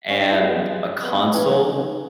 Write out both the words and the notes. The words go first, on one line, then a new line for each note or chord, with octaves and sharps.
and a console,
C#4
D#4
E4
G#3 B3
B3
D#4
D#4
E3 C#4
F#3
D#3